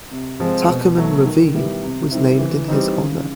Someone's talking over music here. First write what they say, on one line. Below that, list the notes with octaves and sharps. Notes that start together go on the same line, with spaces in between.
Tuckerman Ravine was named in his honor.
C3
F3 G#3 C4
B2
F#3 A3
D#3
G3 B3 E4
C3
D#3 G3 C4 E4
E3
G3 C4 D#4
C#3